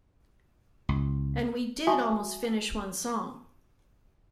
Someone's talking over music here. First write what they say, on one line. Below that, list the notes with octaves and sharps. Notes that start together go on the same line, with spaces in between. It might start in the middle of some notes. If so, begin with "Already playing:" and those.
And we did almost finish one song.
C#2
F#4 E5 G#5 A5 C#6 D#6